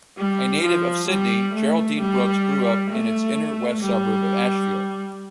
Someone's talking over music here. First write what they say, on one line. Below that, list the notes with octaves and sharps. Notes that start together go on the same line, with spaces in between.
A native of Sydney, Geraldine Brooks grew up in its inner-west suburb of Ashfield.
G3
F3
G3
A3
G3
A3
G3